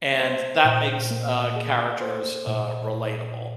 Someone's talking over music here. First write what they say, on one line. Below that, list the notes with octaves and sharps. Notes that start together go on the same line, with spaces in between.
And that makes, uh, characters, uh, relatable.
C5
A#2
A#3
G#4
C5
A#2